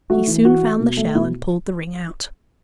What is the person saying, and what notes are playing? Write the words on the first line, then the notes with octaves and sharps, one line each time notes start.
He soon found the shell, and pulled the ring out.
A3 F#4
E3
E3 F#4
A3
B2
A3
B2 E4